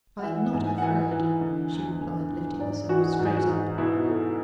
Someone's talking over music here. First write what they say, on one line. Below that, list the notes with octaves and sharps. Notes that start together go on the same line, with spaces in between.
'I am not afraid,' she replied, lifting herself straight up.
F#5
E3 E5
F#5
G#2 G#5
G#5
F#5
E3 G#5
E3
D3
E2
D3 G#5
D3
G#2 D5
E3 F#4
G#4
F#4
G#2
G#4
F#4
G#2
B2 E4
F#4
B2 A4
G#4